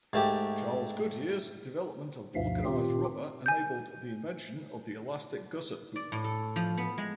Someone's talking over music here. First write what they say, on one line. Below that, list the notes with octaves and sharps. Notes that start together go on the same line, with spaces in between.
Charles Goodyear's development of vulcanised rubber enabled the invention of the elastic gusset boot.
G#2 A3 G4
D2 G2 B2 F3 E5 F5
A#2 D#3 C4 F4 G4
G#5 G6
D5
A2
A4
F3
B3
G#3